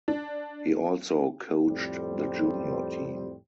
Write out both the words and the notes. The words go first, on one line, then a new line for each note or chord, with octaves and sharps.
He also coached the junior team.
D4
F2 A2 G3 C4